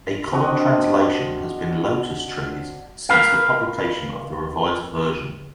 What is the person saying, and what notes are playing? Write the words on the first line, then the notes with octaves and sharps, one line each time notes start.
A common translation has been "lotus trees" since the publication of the Revised Version.
C4 D4 F#4 D#5
A#4 B4 F5